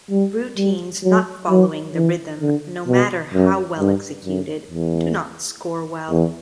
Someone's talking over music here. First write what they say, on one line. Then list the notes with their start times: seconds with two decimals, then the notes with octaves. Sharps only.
Routines not following the rhythm, no matter how well executed, do not score well.
0.11 G3
0.58 G3
1.04 F#3
1.50 F#3
1.95 E3
2.41 D3
2.88 B2
3.34 F#2
3.79 G2
4.25 F#2
4.71 E2
6.10 E2